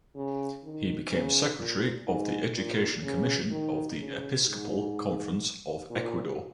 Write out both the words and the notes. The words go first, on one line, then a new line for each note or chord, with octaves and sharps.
He became secretary of the Education Commission of the Episcopal Conference of Ecuador.
C#3
D#3
C#3
A#2
G#2
A#2
C#3
D#3
C#3
G#2
A#2